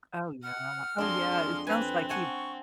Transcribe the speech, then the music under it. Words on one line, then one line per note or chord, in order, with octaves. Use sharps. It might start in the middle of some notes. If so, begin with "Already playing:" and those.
Oh, no, uh, oh, yeah, it sounds like you
F#5 F6
F2 G#3 D4 C6
C4 B4 G#5
F#5 G#5 A5 C#6